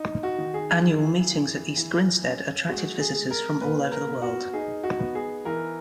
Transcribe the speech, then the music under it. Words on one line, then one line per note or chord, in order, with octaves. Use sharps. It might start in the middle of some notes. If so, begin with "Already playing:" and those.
Annual meetings at East Grinstead attracted visitors from all over the world.
Already playing: D#4
F#4
D#3
G#4
E3
E3
E3
C#4
G#3 F#4
G#4
G#3
A#4
A#2 B4
A#4
B3
F#4
D#4 G#4
F#4
B3
G#4
E3 A#4